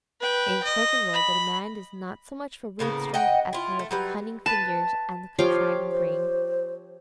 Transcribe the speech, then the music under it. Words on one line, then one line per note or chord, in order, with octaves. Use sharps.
In Clerkenwell the demand is not so much for rude strength as for the cunning fingers and the contriving brain.
B4 G5
D#5
B5
A2 C#3 A#3 B3
D#5 F#5 G5
E4 F4
A3
F#3 G3 B4
B4 A5
F3 G4 C#5 F5 G5
C5